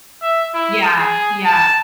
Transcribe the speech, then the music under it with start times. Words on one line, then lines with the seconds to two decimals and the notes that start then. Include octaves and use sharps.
Yeah, yeah.
0.22 E5
0.54 E4
0.99 G#4
1.45 A5